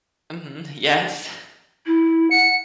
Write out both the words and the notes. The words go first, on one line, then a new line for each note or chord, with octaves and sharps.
Mhm. Yes.
E4
F#5 C#7